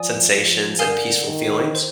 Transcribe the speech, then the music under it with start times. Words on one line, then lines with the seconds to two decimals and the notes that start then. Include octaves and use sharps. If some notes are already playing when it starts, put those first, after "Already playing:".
sensations and peaceful feelings.
Already playing: F3 D5 G#5 D#6
0.31 F3
0.79 D3 A#4 F5 G#5 D#6 G6
1.27 D#3
1.75 C5